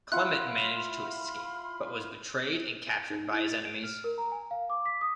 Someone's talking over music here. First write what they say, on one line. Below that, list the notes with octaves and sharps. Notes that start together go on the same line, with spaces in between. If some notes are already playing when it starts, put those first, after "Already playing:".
Clement managed to escape, but was betrayed and captured by his enemies.
E4 F4 F#5 B5 C6 F6 F#6
D#4
E4
A6
D7
F6
A#4
A#5
G#5
F5
D6
B6
D#6